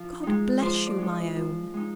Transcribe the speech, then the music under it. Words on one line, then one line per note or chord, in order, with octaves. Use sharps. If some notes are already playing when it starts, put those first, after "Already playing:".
"God bless you, my own!"
Already playing: F3
G#3 D#4
F3 C5
D5
G#3 D#4
D#5
F3
G#3 D#4